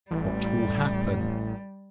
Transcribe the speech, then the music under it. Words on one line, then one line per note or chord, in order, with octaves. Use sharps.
What will happen?
A1 G3